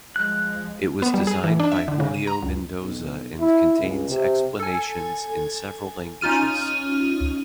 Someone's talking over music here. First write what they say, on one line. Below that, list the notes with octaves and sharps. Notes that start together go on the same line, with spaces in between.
It was designed by Julio Mendoza and contains explanations in several languages.
F3 G#3 F#6
B3
G3
G#4
E3
D4
E5
D3
C#3
D#7
A#5
C#2
B1
E4
C#2
C3
A4 G#5
C#4 D#4 F4 F6 D#7